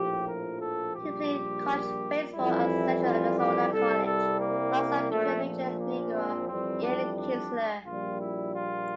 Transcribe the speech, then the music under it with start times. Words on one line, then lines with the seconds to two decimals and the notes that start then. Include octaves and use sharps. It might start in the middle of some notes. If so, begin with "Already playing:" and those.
He played college baseball at Central Arizona College, alongside future major leaguer Ian Kinsler.
Already playing: A#1 A2 F3 G4
0.28 A#4
0.61 A4
0.96 A#1 A#2 G3 G4
2.34 F2 E3 G3 E4
3.03 F4
3.38 G4
3.72 C2 C3 G3 A4
4.06 A4
4.41 A#3
5.10 A#1 A#2 F3 A3
5.44 A3
5.79 A#3
6.14 C4
6.48 F2 E3 G3 C4
6.83 D4
7.17 D4
7.86 A#1 A#2 G3 F4
8.21 E4
8.54 F4